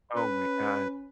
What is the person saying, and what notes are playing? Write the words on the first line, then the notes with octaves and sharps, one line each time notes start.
Oh my god.
C#4 B4